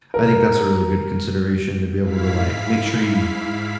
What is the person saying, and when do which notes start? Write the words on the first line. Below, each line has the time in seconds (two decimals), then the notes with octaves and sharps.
I think that's a really good consideration to be able to, like, make sure you
0.14 A#4
2.01 G#2 E4 F5 B6